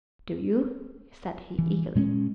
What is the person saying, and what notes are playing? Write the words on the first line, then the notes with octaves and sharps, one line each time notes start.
"Do you?" said he eagerly.
E3
A#2 G#3 C4 C#4